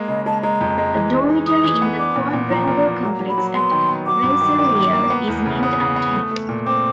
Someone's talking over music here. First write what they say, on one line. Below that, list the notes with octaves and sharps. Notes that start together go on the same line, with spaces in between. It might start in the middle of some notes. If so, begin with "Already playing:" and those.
A dormitory in the Quadrangle complex at Rensselaer is named after him.
Already playing: G#3 A#3
C#3 D#5
G#3 A5
G#3 A#5
F2
G#3
E3
E3
D#4
E3 D#6
E3
B3
D4 D6
A#2
A#2
F3 A#5
A#2
A#3
F#3 A#5
F#3
B5
F#3
B3 C6
D#3
B3
F#3 D6
G2
D#3
D#3
A#3
A#3
B3
E2
C#3
B3 D#6
C#3
B3
A3
A3
A#2
C4 D6